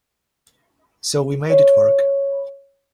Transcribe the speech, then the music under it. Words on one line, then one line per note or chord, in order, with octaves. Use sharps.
So we made it work.
C#5